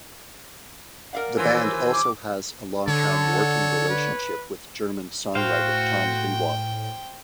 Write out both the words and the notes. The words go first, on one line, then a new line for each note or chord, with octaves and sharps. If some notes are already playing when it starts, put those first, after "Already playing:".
The band also has a long-time working relationship with German songwriter Tom Liwa.
A#4 D5 F5 F#5
D#2 E3 F4 C5 G#5 E6
D6
D3 A4 C#5
B4
A2 F#4 C5 F5 G5